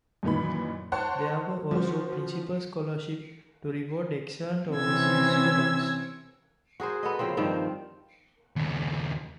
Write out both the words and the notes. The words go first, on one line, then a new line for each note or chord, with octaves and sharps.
There were also "Principal Scholarship" to reward excellent overseas students.
F#2 A#2 D#3 E3 B5
C5 C#5 F#5 A5 C6
F3 C#4 F#4 C5
C3 E3 C4 C#4 E6 G#6
F#4 G#4 A#4 C5
B3 A4 D#5
C#3 F3 A#3 C4
G2 D#3 F3 C4
D#2 C#3